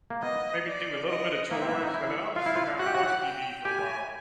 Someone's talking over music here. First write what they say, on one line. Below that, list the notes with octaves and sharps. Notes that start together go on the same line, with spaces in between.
maybe do a little bit of chores, and then I'll just sit down and watch TV for a while.
A#3
B3 D#5
D5
D#5
A#3 E5
C4
A#3
B3
D#4
E4 E5
F4 F5
E4
F4
F#4 F#5
G4
F#4
G5
G4 G#5